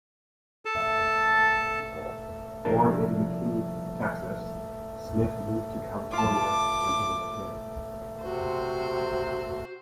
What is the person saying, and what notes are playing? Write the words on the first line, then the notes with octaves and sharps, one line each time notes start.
Born in McKinney, Texas, Smith moved to California when he was a kid.
A4 A5
C2 F3 A#3 D4 A#4 A5
F4 A5 D6
C3 F#4 C5